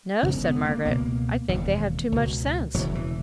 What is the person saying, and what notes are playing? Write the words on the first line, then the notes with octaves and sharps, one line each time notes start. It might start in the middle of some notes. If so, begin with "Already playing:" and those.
'No!' said Margaret; 'I think they have too much sense.'
E1 D#2 C#3 C#4
B3
A#3
C#2 B2 A#3
E1 D#2 C#3
C#2 B2
E1 E2 C#3 F#3
E3